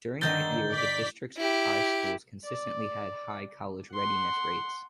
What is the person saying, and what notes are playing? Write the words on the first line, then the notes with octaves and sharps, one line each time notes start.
During that year the district's high schools consistently had high college readiness rates.
G2 D3 D#3 D#5 G6 A6 G7
D5 B6
E4 G4
D5
F#5 C6